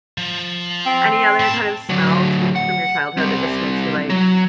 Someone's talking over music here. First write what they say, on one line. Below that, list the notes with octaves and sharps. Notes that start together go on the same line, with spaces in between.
any other kind of smell, too, from your childhood that just makes you, like,
F3
C4
A2 A5
D3 F#3
F#5
G3 C4
F#3